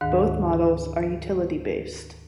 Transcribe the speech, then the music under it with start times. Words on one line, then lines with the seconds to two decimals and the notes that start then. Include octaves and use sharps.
Both models are utility-based.
0.01 D2 G#2 D#3